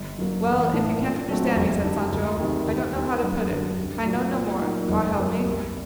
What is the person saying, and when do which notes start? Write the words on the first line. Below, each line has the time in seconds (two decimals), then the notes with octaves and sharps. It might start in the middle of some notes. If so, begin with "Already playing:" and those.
"Well, if you can't understand me," said Sancho, "I don't know how to put it; I know no more, God help me."
Already playing: G1
0.18 F#2 F#3 A#3
0.46 A1
0.73 A2 A3 D4
1.01 A#2
1.29 F#3 A3 C4 F#4
1.56 F#1
1.84 F#2 D3 G3 D4
2.12 D2
2.40 C3 D#3 G3
2.67 D#2
2.95 D#3 G3 D4
3.23 F#2
3.51 D3 F#3
3.78 C2
4.06 A#2 F#3
4.34 A#2
4.62 F#3 A#3 D#4
4.89 F#1
5.17 F#2 F#3 A#3
5.45 C2